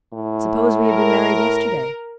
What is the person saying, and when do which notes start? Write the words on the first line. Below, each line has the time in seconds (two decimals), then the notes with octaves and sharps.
Suppose we had been married yesterday?
0.13 A2
0.85 A#4